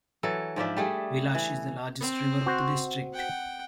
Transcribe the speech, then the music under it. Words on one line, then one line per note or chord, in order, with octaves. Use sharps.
Vilash is the largest river of the district.
E3 F#3 A4
G#2 F3 D4 E5
G3 A3 G4 G#4
E3
C4
F#4 C5
F#5 G5